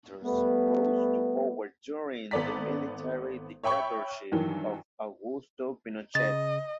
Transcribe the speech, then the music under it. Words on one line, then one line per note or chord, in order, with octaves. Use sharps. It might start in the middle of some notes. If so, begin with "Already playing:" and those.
Walters rose to power during the military dictatorship of Augusto Pinochet.
G3 A3 B3
G#1 B3 A4 D5 A#5 B6
C#5 E5 G5 B5 C#6
G2 D#3 E3 F#3
C#3 D#5 A6